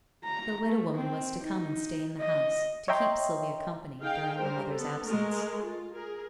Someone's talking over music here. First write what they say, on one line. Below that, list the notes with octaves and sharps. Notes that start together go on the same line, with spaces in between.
The widow-woman was to come and stay in the house, to keep Sylvia company, during her mother's absence.
A#5
A3
C4
D#4
D#5
C#5 D#5 E5 G5 A#5 C6
D#4 G#4 F5 G5
G3 A#4 C5
B3 A4
G#3 A3 A#4
F4
G#4 A#4